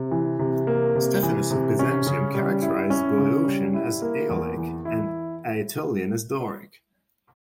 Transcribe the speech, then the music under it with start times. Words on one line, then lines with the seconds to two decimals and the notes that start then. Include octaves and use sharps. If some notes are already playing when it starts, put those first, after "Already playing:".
Stephanus of Byzantium characterized Boeotian as Aeolic and Aetolian as Doric.
Already playing: C3
0.11 E3
0.39 C3
0.67 A#3
0.95 C3
1.23 E3
1.51 C3
1.79 C#4
2.07 C#3
2.34 G3
2.62 E4
2.90 C#4
3.18 C#3
3.46 G3
3.74 E4
4.02 A#3
4.29 E2
4.57 E3
4.85 E4